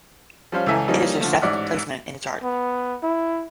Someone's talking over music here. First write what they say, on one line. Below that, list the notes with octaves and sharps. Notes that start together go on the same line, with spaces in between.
It is their seventh placement in the chart.
F3 G3 C#4 C5 F5
C#2 E3 A4 E5 G#5 A#5
E3 F3 G3 A#3 C#4 D#4
D3 F3 A3
A1 G#2 D5 E5 F#5 F6
B3
E4